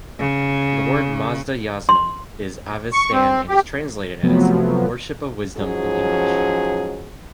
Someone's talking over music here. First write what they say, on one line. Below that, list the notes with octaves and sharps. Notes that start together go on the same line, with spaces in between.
The word Mazda-Yasna is avestan and is translated as "Worship of Wisdom" in English.
C#3
C6
C#6
C4
G4
C3 F3 F#3 A3 B3
G#2 F3 F#3 C#4 G#4